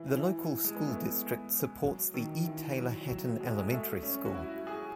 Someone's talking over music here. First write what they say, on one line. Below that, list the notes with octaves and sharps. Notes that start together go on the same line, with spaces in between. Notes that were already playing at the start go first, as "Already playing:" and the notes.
The local school district supports the E. Taylor Hatton Elementary School.
Already playing: E3
E3
G#3
B3
A3
F#3
D#3
E3
F#3
F#3
G#3
A3
G#3
A3
C#4
F#4
E4
G#4